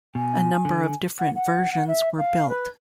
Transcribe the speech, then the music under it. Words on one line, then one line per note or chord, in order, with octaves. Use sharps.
A number of different versions were built.
B2 G#5
D3
F#5
F#5
F#5
E5
F5
B4